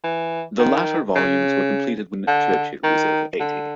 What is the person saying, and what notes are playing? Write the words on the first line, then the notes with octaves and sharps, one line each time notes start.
The later volumes were completed when Churchill was over eighty.
E3
D#3
C#3
D3
D#3
D3